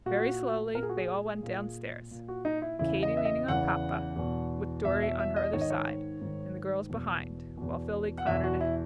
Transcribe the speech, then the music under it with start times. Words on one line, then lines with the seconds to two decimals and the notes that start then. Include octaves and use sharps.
Very slowly they all went down stairs, Katy leaning on Papa, with Dorry on her other side, and the girls behind, while Philly clattered ahead.
0.06 A#2 F#4
0.74 A#2 A#4
0.83 G#4
0.89 F#4
0.97 G#4
1.43 A#2
2.11 A#2
2.28 F#4
2.45 D#4
2.62 E4
2.79 E2 C#3 E3 E4
3.03 D#5
3.17 E5
3.25 D#5
3.48 E2 C#3 E3 F#5
4.16 E2 B2
4.85 E2 B2 E5
5.02 E5
5.19 E5
5.36 D#5
5.53 G#2 D#3 C#5
5.61 D#5
5.70 C#5
6.21 G#2 D#3
6.90 E2 B2
7.58 E2 B2
8.18 F#5
8.26 E2 B2 E5
8.44 F#4
8.61 E4